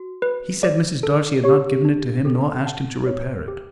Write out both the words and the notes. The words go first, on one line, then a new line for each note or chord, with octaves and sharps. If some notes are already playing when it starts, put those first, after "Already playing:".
He said Mrs. Darcy had not given it to him, nor asked him to repair it.
Already playing: F#4
B4
D5
A4
G4 C#5
D4
G4 A4
F#5 A5
C#5
G4